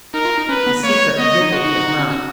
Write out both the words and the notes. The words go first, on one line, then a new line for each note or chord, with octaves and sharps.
The secret wriggled to his mouth.
D#4 A#4
F4
D#4
C#4 B4
B3
A#3 C#5
B3 D#5
D#4
F4 F#4
D#4
D#4
D#4
C#4
C#4